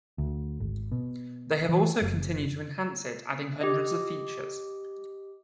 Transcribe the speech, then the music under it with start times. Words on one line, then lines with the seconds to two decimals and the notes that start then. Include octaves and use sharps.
They have also continued to enhance it, adding hundreds of features.
0.18 D2
0.60 G#1
0.92 B2
1.69 E3
2.02 F#1
3.61 G4 D#5